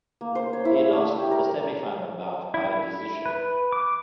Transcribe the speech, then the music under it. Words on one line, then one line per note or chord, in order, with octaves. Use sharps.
He lost the semifinal bout by decision.
A#3
C5
C#5
E4
E6
A3
G4
A#4
E4
B4
D6